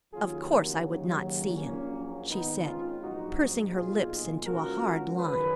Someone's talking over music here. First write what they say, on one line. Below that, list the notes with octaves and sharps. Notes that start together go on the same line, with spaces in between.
"Of course I would not see him," she said, pursing her lips into a hard line.
D#2 C#3 F#3 F4 G#4
A#3
D#2 C#3 F#3
A#1 A#2 F#3 A#3 C#4
G#1 G#2 D#3 B3 D#4
C#4 F4
A#1 G#2 F#3 D#4 F#4
B1 A#2 G#3 F4 G#4
C#2 C#3 F3 F#4 A#4
F#2 D#3 F#3 G#4 B4